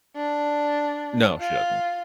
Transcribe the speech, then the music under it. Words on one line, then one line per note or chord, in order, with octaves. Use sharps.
No, she doesn't. She
D4
F4